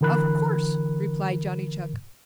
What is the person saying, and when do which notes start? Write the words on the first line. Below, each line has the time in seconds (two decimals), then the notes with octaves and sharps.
"Of course," replied Johnny Chuck.
0.01 D3 E3 A#4 B5 F#6